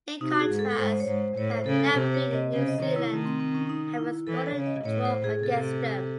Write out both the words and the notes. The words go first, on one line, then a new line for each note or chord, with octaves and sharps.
In contrast, they have never beaten New Zealand, having scored a draw against them.
C3 D#4
F#4
G#4
G#2
A4
A4
G#2 C5
C#5
G#2 C5
A2 C#5
C5
C#3 A4
A4
C3 C5
C#5
D#5
C#3 C5
D#5
D#3 C#5
E4
D#3 A3
C4
C4
C#4
D#4
E4
E3 A4
C#5
C#3
D#5
A2 C#5
C5
G#4
C3 A4